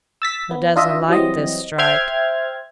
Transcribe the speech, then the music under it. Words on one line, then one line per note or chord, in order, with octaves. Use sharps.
Hoo doesn't like this strike.
E6 A6 B6
B3
D4 F4 D#5 E5
E3 F#3 G3 C4 D#5
C5 E5 G5 C6 F6 G#6